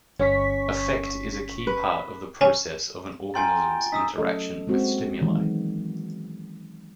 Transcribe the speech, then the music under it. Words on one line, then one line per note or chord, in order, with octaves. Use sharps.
Affect is a key part of the process of an organism's interaction with stimuli.
G1 C#4 C#6 B6
B4
C#4
F4 G5 G#5 A#5 C6 A6
D#4 D#6 E6 B6
F#3 C#4 A4 D#5
G#3 A#3 C4 F#4
D#3 E3 F#3 G#3 B3